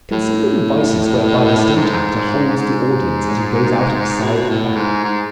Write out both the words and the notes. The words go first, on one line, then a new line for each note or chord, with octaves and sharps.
Consider the devices whereby the stage actor holds the audience as he goes out at the side and back.
A2
G#2
G#2
B2
A2
G#2
G#2